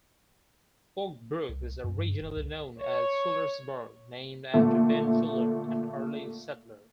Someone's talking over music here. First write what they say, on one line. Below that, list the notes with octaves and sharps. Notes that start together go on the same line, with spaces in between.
Oak Brook was originally known as Fullersburg, named after Ben Fuller, an early settler.
C2
F#2
G2
F1
C2
C#5
A#2 D3 A3